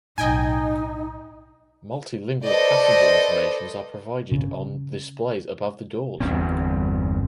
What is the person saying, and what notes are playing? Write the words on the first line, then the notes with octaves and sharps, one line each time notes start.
Multilingual passenger informations are provided on displays above the doors.
B1 A2 D#4 D#5 G5 G#5
A4 B4 C5 D5 D#5
C#3
G1 E2 G2 C4